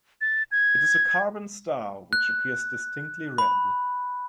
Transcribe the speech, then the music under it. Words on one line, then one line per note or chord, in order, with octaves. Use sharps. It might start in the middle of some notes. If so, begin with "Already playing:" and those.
It is a carbon star which appears distinctly red.
A6
G#6
F#6
B5